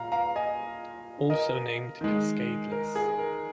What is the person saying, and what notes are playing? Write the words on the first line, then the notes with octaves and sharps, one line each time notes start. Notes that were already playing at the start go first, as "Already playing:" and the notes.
Also named cascadeless.
Already playing: A#2 F5 A#5
F5 A#5
D#5 G#5
A#4 D#5
D#3 G#3
A#4
G#4
A#4